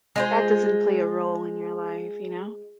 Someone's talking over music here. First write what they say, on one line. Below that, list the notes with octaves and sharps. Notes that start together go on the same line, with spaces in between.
that doesn't play a role in your life, you know?
G#3 F4 C5